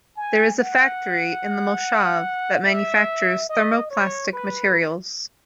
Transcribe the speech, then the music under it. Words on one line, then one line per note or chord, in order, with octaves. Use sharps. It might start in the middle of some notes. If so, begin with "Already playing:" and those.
There is a factory in the moshav that manufactures thermoplastic materials.
G#5
F#5
E5
D#5
C#5
B4